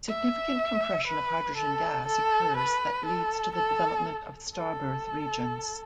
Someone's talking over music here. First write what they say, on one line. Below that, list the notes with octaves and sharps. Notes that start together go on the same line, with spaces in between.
Significant compression of hydrogen gas occurs that leads to the development of starbirth regions.
E5
B4
A4
A4
B4
A4
A4
A4